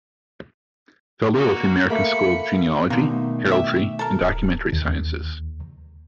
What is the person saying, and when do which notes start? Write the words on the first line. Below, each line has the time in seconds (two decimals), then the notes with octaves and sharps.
Fellow of the American School of Genealogy, Heraldry and Documentary Sciences.
1.33 A#3 F#4
1.90 A3 A#3 B5 C#7
2.90 B2 D3 D#3 A#3 C4
3.11 A3
3.51 G4 E5
3.99 A4 A#4
4.21 D1
4.73 D#2